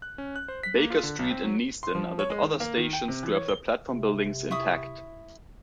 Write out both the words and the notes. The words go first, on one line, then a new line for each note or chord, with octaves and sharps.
Baker Street and Neasden are the other stations to have their platform buildings intact.
F#6
C#4
F#6
C5
B6
A#3
F4
D3
B1
C4
F#3
C6
F3
C#5
G#3
D#3
A#3
D#3
G5
C3
E3
C#5
G7
C3
E4 C#6 D#6